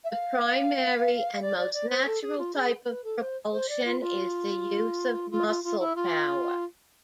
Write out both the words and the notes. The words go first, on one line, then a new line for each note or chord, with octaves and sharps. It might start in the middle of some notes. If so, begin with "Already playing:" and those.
The primary and most natural type of propulsion is the use of muscle power.
E5
F5
D5
D5
D5
C5
A4
G#4
F4
G#4
B4
A4
C5
C5
D5
F4
F4
F4
F4
F4
E4
F4